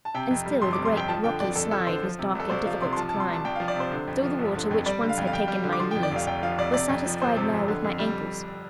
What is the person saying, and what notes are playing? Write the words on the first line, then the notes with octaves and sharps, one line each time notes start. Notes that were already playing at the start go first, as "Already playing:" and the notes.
And still the great rocky slide was dark and difficult to climb; though the water, which once had taken my knees, was satisfied now with my ankles.
A5
C3 G5
F2
G3
G1 C6
D6
C3
C6
F2 G5
F3 A5
D3 G5
F2 D5
F2 A4
F3 A4
D3 C5
F3
C3
C2 A4
C2 C5
F3 F5
C3 C6
C6
F3 A5
A5
C3
C6
C2 A5
C2 G5
F5
F3
D5
C3 C5
D3
F2
F3
G1
D3
F2
G3 D5
D3
F5
F2
F5
F2 G5
G3
D3
D6
F3 C6
G5
F2
D5
F1 F5
F1 G5
F3 F5
F2 D5
C3 D5
F2
F3
G1 C5
C3
F2
D3
F2
G3